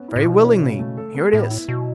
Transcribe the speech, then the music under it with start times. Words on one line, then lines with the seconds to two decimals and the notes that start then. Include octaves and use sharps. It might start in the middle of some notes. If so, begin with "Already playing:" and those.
"Very willingly; here it is."
Already playing: B3 C#4
0.08 E4
0.16 A2
0.25 B2 E3
0.43 C#4
0.62 C#3
0.79 A3
0.97 A4
1.15 B3
1.33 A2 E5
1.51 E4
1.68 B2 F#3